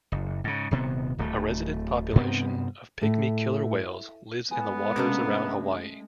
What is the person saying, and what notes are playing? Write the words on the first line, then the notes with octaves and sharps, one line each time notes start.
A resident population of pygmy killer whales lives in the waters around Hawaii.
F#1
G#2 C#3
D#1 C3 B3
D1 A3
G2 C3 B3 C4
A2
G#3 A3 B3 G#5
C3 A#3 C#4 D4